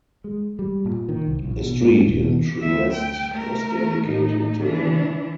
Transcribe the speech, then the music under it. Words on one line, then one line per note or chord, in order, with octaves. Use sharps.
A street in Trieste was dedicated to him.
G#3
G3
A#2
D#3
C2
A#1
B2
G#2
E1
B2
D2 E5
G5
A3 A#4
A2 D#4
E3 D4